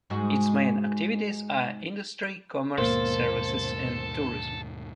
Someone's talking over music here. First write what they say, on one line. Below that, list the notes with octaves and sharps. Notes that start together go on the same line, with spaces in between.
Its main activities are industry, commerce, services and tourism.
G#2 G#3 F#4
D#2 G#2 B2 A#3 A4 C5